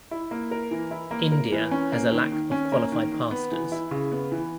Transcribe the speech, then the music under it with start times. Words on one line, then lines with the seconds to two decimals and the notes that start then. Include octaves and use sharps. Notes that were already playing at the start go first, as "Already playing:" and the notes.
India has a lack of qualified pastors.
0.11 E4
0.31 A#3
0.51 A#4
0.71 E3
0.91 E4
1.11 A#3
1.32 A#4
1.52 E3
1.71 C#4
1.92 A#3
2.11 D#3
2.32 D#3
2.51 C#4
2.72 A#3
2.92 D#3
3.12 D#3
3.31 B3
3.52 E3
3.72 E4
3.91 C#3
4.12 B3
4.32 E3